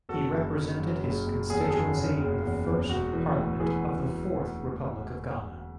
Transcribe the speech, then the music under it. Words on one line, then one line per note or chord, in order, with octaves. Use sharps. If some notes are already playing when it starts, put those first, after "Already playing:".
He represented his constituency in the first Parliament of the fourth Republic of Ghana.
F#1 F#4 A4
F#1
F#1
F#2
F#1
F#1
E2 G#4
A4
F#1 G#4
C#3
F#1
E2
E2
E1 F#4
E3
D2
E3 G#4